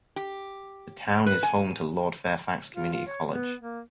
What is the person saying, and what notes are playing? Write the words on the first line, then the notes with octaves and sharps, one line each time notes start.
The town is home to Lord Fairfax Community College.
G4
B4
G#5
F4
F4
C#5
B3
A#3